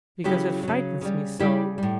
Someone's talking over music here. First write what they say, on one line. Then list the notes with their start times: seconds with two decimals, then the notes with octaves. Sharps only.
'Because it frightens me so!'
0.24 C#3 F#3 E4 G4
0.63 C#3 F#3
1.01 C#3 G3
1.39 C#3 G3 E4 G4
1.78 A2 G3